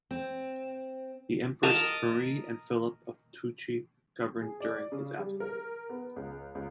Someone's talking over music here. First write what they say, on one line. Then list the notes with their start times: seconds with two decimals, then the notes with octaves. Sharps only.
The empress Marie and Philip of Toucy governed during his absence.
0.11 C4
1.63 A#4 D#5 A5
4.41 G#4
4.60 D5
4.92 C#3
5.18 G3
5.40 A#4
5.89 B3
6.16 C#2
6.55 C#2